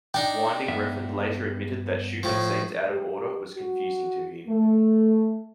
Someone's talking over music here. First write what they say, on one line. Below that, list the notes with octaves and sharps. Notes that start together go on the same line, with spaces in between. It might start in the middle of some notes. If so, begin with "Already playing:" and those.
Winding Refn later admitted that shooting scenes out of order was confusing to him.
D4 D#4 G5
G2 B3 E5
A2 F3
G4
F#4
A3